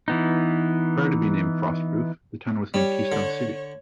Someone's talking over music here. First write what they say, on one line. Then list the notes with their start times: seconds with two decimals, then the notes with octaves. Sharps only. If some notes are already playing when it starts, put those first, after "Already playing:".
Prior to being named Frostproof, the town was named Keystone City.
0.08 E3 B3 D#4
2.74 G3 C#5
3.12 D3